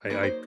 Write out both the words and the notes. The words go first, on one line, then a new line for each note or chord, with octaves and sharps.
I I
F#3 A#3 D#4 B4
C5